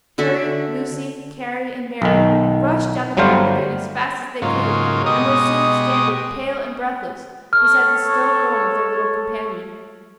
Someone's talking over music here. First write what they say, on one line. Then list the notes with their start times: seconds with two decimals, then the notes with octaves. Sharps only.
Harry, Lucy, Carry, and Mary, rushed down the path again as fast as they could, and were soon standing pale and breathless beside the still form of their little companion.
0.18 D3 F#4 A4 E5
2.02 B1 D#3
3.17 G1 F#3 G3 A3 C5 F5
4.42 G#2 C#3 F#3 A#3 F4
5.06 B2 G#3 G4 D#5 C#6 D#6
7.53 A4 C#5 F6